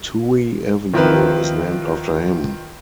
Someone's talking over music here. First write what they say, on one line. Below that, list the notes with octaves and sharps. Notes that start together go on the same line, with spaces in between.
Touhy Avenue is named after him.
D#3 F3 C4 E4 A#4 B4